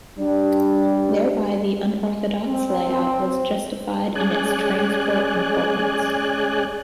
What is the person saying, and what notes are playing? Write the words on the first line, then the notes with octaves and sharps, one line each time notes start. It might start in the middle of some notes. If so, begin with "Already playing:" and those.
Thereby the unorthodox layout was justified in its transport importance.
G3 D4
C4
G#3 C#4 G#4 D5 G#5 F#6